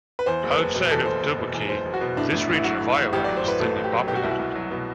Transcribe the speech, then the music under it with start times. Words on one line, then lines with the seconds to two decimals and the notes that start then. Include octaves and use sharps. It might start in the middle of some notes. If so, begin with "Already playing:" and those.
Outside of Dubuque, this region of Iowa is thinly populated.
0.19 B4
0.26 E2 C5
0.43 F#1
0.51 B4
0.58 F#1
0.75 B2
0.90 E2 A4
1.05 F#1 C5
1.22 F#1
1.38 B2
1.54 E2
1.69 F#1 C5
1.85 F#1
1.94 F#4
2.01 B2
2.17 A2 D4
2.33 A1
2.41 E4
2.49 A1
2.56 E4
2.64 F#3 F#4
2.81 A2
2.96 A1
3.13 A1 G4
3.24 D5
3.28 F#3
3.37 C5
3.44 A2 B4
3.60 A1 A4
3.76 A1
3.84 G4
3.92 F#3
4.07 B2 G4
4.15 F#4
4.23 C2 E4
4.30 F#4
4.39 C2
4.55 F#3
4.71 B2